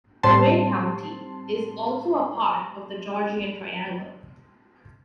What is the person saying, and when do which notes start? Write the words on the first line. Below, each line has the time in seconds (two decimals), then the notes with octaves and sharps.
Grey County is also a part of the Georgian Triangle.
0.23 A2 G3 C4 A5 C6